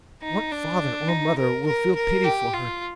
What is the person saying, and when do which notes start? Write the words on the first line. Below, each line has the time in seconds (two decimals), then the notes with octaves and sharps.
What father or mother will feel pity for her?
0.23 D#4
0.51 D4
1.09 D#4
1.38 A#4
1.66 A#4
1.95 A#4
2.24 G4
2.53 F4